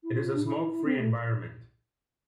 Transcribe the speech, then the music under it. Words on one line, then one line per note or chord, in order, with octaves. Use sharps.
It is a smoke-free environment.
E4
F4
F4
D4
E4
E4
E4
C4
A3